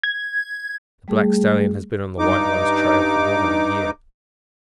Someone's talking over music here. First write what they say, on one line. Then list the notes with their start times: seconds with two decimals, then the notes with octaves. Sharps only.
The black stallion has been on the white one's trail for more than a year.
0.03 G#6
1.08 G3 A3 G#4
2.19 G2 D#4 D6